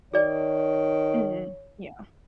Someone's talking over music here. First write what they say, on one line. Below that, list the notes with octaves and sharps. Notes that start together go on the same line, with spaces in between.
Mhm, yeah.
D#3 G#4 C#5 D5